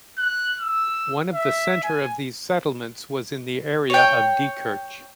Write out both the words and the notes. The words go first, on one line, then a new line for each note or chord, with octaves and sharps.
One of the centre of these settlements was in the area of Diekirch.
F#6
E6
E5
G#5
C#5 G5